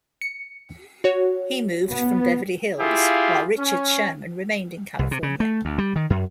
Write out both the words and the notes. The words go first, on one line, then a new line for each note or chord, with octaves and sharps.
He moved from Beverly Hills, while Richard Sherman remained in California.
C#7
F#4 C#5
B3
E4 F4 G4 G#4 F5
C#4
C2
C3
C#3
A3
D2
G3
D#3
F#2